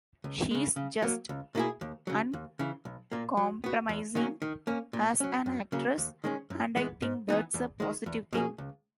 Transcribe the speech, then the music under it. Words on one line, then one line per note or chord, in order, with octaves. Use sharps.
She's just uncompromising as an actress and I think that's a positive thing.
C#2
C#3 G#3
C#3
F#3 A#3
C#2
B2 A#3 E4 G#4
D#2
C#3 F#3
D#2
C#3 E3
B1
A#2 A#3
F#3
B3 F#4
E2
D#3 F#3 A#3 C#4
D#3
A#3 C#4
A#2
F#3 C#4
F#2
C#3 F#3 A#3
D#2
D#3 G#3 C#4
F#2
E3 G#3 B3
G#2
E3 B3 D#4
E2
D#3 G#3
E2
B2 A#3 C#4 G#4
C#2